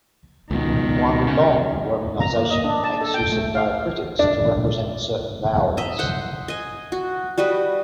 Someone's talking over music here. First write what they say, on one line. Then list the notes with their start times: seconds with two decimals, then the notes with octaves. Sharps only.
Guangdong romanization makes use of diacritics to represent certain vowels.
0.51 C#2 B2 D#3
1.27 C#3
2.20 A#5
2.36 A#3
2.50 D#5
2.64 D4
2.84 A5
3.01 A4
3.14 G5
3.32 A3
3.55 F5
4.19 D4
5.77 D#5 E5 A#5
5.99 C5 F#5
6.48 D#5 G#5
6.92 F#4
7.38 G3 F#4 B4 D#5